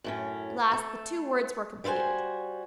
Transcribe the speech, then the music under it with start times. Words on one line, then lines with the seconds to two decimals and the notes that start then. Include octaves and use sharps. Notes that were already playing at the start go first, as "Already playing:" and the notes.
At last the two words were completed.
0.04 F#2 A2 C#4
0.71 A3 A4
1.84 G3 E4 F#4 C5 G#5